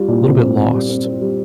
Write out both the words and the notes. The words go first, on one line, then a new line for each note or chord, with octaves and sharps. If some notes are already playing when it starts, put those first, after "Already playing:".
little bit lost
Already playing: G3 F4
A#2
C4
C4
C4
G3
C4
C4
G3